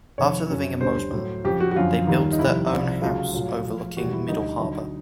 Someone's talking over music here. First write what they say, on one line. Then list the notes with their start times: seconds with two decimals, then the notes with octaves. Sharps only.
After living in Mosman, they built their own house overlooking Middle Harbour.
0.18 F2 C3 D#3 C#5
0.50 F#2 C#3 F#3
0.81 D2 D3 G3 C5
1.13 A2 F#3
1.44 F2 C#3 F3 G4
1.60 F#4
1.71 F#4
1.75 F#2 D3 F3 F4
2.07 D#2 D#3 G3
2.33 D#4
2.39 F2 C3 D#3 G3 E4
2.70 C2 C3 F3
3.02 C#2 C#3 F#3 F4
3.34 A2 F#3 F4
3.65 A2 F3
3.97 E2 B2 G3 F#4
4.13 E4
4.28 D2 D3 G3 D#4
4.60 D2 D3 F#3